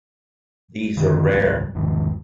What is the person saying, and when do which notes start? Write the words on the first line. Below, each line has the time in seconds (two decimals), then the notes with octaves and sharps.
These are rare.
0.97 F#2 D3 D#3 C#4
1.34 F#1 C#2 G#2 F3
1.74 G#1 E2 G#2 D#3